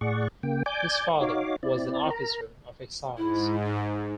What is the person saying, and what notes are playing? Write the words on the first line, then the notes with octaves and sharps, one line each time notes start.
His father was an officer of excise.
A2 G#4 D5 F#5 C#6
C#3 A#3 G5
D5 G#5 D6 G6
D#4 F#4 C#5 F5 D6
C4 E4 D5
A#4 A#5
G#2 E4
D#4